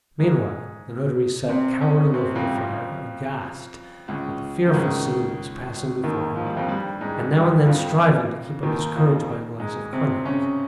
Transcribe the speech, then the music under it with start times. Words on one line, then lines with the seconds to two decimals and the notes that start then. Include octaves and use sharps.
Meanwhile the notary sat cowering over the fire, aghast at the fearful scene that was passing before him, and now and then striving to keep up his courage by a glass of cognac.
0.19 G#2 G#3
1.49 C3 C4
1.81 C#3 C#4
2.14 C3 C4
2.35 F2 F3
2.47 G3
2.57 F2 F3
4.08 C#2 C#3
4.68 D#3
4.74 C#2 C#3
6.03 D#2 D#3
6.36 F3
6.46 G3
6.57 F2 F3
6.68 G2 G3
7.01 G#2 G#3
7.33 G2 G3
7.65 F2 F3
8.63 D#2 D#3
8.95 F2 F3
9.60 G#2 G#3
9.92 C3 C4
10.25 C#3 C#4